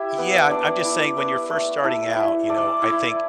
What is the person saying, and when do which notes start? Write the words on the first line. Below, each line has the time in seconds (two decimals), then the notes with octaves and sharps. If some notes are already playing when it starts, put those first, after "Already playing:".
Yeah, I'm I'm just saying when you're first starting out, you know, I think
Already playing: E4 G4 E5
0.18 B3
0.51 D4 A4 D5
0.84 E4
1.17 B4 D5
1.50 A3
1.84 E4 A4
2.16 E4
2.49 A4 D5
2.82 E4